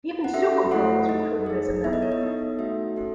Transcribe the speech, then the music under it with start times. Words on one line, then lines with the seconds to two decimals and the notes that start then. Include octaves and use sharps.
Even Supergirl was recruited as a member.
0.24 F#5
0.33 C#4 F#4 A4 E5
0.71 A3 E4 A4 F#5
1.09 D#4 A4 D#5
1.46 D#4 G#4
1.84 B3 E4 A4 E5
1.93 D#5
2.02 C#5
2.12 D#5
2.21 B3 D#4 A4
2.59 A3 D#4 F#4 A4 E5
2.96 C#4 F#4 A4